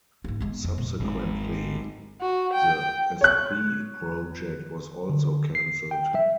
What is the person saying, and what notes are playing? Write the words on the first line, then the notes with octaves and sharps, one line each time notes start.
Subsequently, the Esprit project was also cancelled.
G#2 A#3
G#3 B3
F2
A#2
G#1 G#2
F#4
G5
C#5 F#6
D3
C7
G5
E5